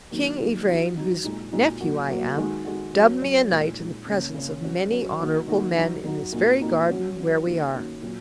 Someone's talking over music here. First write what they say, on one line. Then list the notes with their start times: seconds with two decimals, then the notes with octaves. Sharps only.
King Evrain, whose nephew I am, dubbed me a knight in the presence of many honourable men in this very garden where we are.
0.11 D#3 F#3 A#3
0.39 D#3 F#3 A#3
0.67 F#3 D#4 F#4
0.96 F#3 D#4 F#4
1.23 A#2 G#3 D#4 F#4
1.52 A#2 G#3 D#4 F#4
1.80 F#3 A#3 F#4
2.08 F#3 A#3 F#4
2.36 D#3 G#3 F#4
2.65 D#3 G#3 F#4
2.94 F#3 C#4 F#4
3.22 F#3 C#4 F#4
3.50 A#2 G#3 D#4
3.77 A#2 G#3 D#4
4.06 C#3 A#3 C#4
4.34 C#3 A#3 C#4
4.63 F#3 C#4 F#4
4.91 F#3 C#4 F#4
5.20 D#3 A#3 F#4
5.48 D#3 A#3 F#4
5.76 F#3 D#4 F#4
6.04 F#3 D#4 F#4
6.32 A#2 A#3 D#4 F#4
6.61 A#2 A#3 D#4 F#4
6.89 F#3 C#4 F#4
7.17 F#3 C#4 F#4
7.45 D#3 A#3 C#4 F#4
7.74 D#3 A#3 C#4 F#4
8.02 A#2 F#3